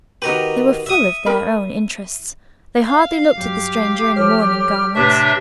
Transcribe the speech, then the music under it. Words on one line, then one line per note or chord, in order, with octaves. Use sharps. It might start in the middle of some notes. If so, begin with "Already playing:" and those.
They were full of their own interests; they hardly looked at the stranger in mourning garments.
D#3 F#4 G4 A#4 B4
E5 D#6
A#4 B5
F5
G2 F#3 G4
F3 A4 C#5 F6
A2 C3 D4 B4 C#5 E5